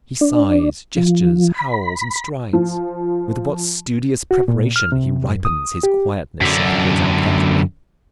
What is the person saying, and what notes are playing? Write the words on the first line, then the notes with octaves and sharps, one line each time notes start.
He sighs, gestures, howls, and strides. With what studious preparation he ripens his quietness, if he goes out that way.
D4
F3
B5
F3
F#4
A#2
F6
C3
F#2
D#6
G4
F#2 D3